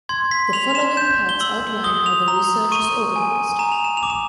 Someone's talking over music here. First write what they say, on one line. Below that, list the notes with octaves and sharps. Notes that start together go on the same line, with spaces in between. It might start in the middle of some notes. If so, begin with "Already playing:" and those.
The following parts outline how the research is organized.
C6 G#6
B6
C6 F7
F7
E7
G6 E7
G7
E6 F#7
D#6 G7
F7
A#5 F7
C#6 D#7
G#5
A#5 E7
F7
E7
F7
D6
E7